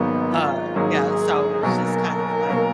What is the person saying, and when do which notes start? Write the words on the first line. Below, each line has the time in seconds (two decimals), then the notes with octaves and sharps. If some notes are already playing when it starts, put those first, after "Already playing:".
uh, yeah, so, it's just kind of, like,
Already playing: G#1 G#2 F#3 A#3 B3
0.32 F4
0.75 G#1 G#2 F#3 A#3 G#4
1.63 B1 B2 F#3 A#3 A#4
2.50 B2 F#3 A#3